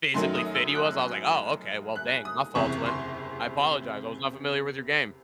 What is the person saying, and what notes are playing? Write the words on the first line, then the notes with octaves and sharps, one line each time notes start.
physically fit he was. I was like, "Oh, okay. Well, dang." No fault to him. "I apologize. I was not familiar with your game."
F#2 D#3 F#3 A3 C6
D#6
E6
F#6
F#6
D#6
F#1 E2 C3 C#6
C6